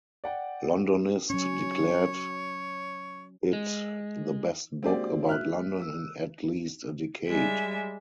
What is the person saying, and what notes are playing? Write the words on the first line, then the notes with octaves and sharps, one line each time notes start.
"Londonist" declared it 'the best book about London in at least a decade'.
D5 F#5 G5
F#3 C#4 C#5
G#3
G#3 A#3 C4 D4 F#4 G4 D5
E5 F6 F#6
E6
G3 G#3 E5